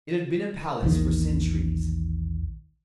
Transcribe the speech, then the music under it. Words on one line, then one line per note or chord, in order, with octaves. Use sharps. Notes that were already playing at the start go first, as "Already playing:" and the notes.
It had been a palace for centuries.
A#1 E2 A#2 D#3